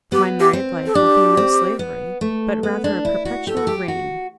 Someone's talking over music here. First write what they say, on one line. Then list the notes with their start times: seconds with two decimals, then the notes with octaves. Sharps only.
My married life will be no slavery, but rather a perpetual reign.
0.12 B3 G4
0.40 G4
0.53 C4
0.86 A4
0.95 D4 G4
1.37 C4
1.79 B3
2.21 A3
2.63 B3
2.84 D4
3.05 E4
3.25 F#4
3.47 G4 A4
3.57 F#4
3.67 G4
3.88 F#4